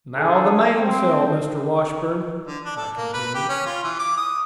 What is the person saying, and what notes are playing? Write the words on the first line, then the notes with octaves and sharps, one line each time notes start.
"Now the mainsail, Mr. Washburn," I continued.
D4 G#4 A4
C4
D3
D4
A4
A#3
B4
G4
C#4
F4
E3
D6
D#6